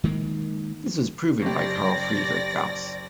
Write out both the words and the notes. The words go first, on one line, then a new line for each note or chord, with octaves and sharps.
This was proven by Carl Friedrich Gauss.
D#3 G#3 A#3
F#1 G4 D5 A#6